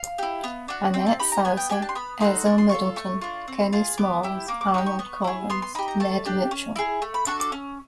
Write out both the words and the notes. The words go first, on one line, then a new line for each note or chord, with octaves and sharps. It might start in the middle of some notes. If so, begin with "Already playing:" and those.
Annette Sausser, Ezell Middleton, Kenny Smalls, Arnold Collins, Ned Mitchell.
Already playing: F5
E4 G4
B3
D4 F#4
C4 G5
A5
D#4 G4 B5
A#5
B3 G#5
G5
D4 G4 G#5
A5
C6
B3 B5
D#4 F#4 A4 C6
D4 C#6
C6
F4 A4 C#6
A3 C#6
D4 F4
C4
F4 G#4
B3 D6
E4 G4
A#3 D6
D6
D#4 G4 C#6
C#6
B3 C#6
E4 G#4
B3 C6
C6
D#4 G4 B5
A#5
A3 A5
D4 G4
C#4
E4 G#4
A3
B5
D4 F#4 A4 C#6
D6
C#4